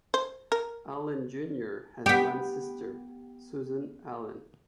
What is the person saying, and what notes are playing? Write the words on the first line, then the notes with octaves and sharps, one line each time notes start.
Allen Junior has one sister, Susan Allen.
C5
A#4
B3 G4